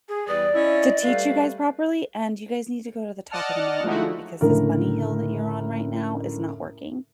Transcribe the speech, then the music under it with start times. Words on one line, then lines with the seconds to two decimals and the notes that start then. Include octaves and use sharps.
to teach you guys properly, and you guys need to go to the top of the mountain because this bunny hill that you're on right now is not working,
0.09 G#4
0.28 E2 G3 B4 D5 D#6
0.54 C#4 E4 D#5
1.03 G3 A3 B4 F5
3.31 D5 D#5 F#5 A5 F6
3.84 F3 G#3 A3 D#4 E4 F#4
4.41 C#2 A2 D3 A#4